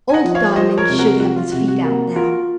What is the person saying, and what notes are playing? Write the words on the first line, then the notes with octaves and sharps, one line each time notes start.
Old Diamond should have his feed out now.
G#5
D#5 F#5
F3
C#5 F5
F3 C5 D#5
A#4 C#5
C3
F#4 A#4
F3 F#4
F4
C3 F#4
F#4
A#3 F#4
F4 F#4 A#4